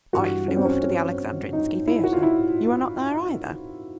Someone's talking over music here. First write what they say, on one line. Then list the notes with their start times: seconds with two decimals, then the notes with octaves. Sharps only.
I flew off to the Alexandrinsky theatre: you were not there either.
0.13 G2 E3 G3 F#4
0.48 C#4
0.57 C4
0.65 C#4
0.83 C#4
1.53 D#4
1.88 E4
2.04 F#4
2.13 F4
2.23 E4